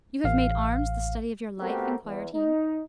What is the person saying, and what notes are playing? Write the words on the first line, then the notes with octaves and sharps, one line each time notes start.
"You have made arms the study of your life?" inquired he.
A1 F5
A3 B3 C4 F#4 G4 A#4
E2 E3
D#4